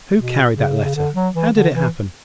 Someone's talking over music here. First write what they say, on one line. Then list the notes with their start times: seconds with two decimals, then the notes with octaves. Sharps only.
"Who carried that letter? How did it happen?"
0.16 B2
0.56 C#3
0.84 C#3
0.95 D3
1.15 F#3
1.35 E3
1.55 D3
1.75 E3